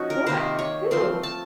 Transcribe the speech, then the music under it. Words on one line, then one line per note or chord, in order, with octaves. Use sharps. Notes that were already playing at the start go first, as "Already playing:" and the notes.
"What? who?"
Already playing: F3 C#4 D#4 F#4
A#4
C3 D#3 A#3 C5
C#5
F3 A3 C4 C6
A5